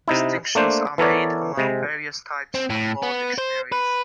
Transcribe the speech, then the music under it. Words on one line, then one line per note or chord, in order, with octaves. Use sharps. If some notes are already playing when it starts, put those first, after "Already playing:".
Distinctions are made among various types of law dictionaries.
C3 D#4 E4
A3 A#3 D4 C5
E3 B3 A4 A#4 C#5 D5
C3 G#3
C4
A2
B3
C5
B4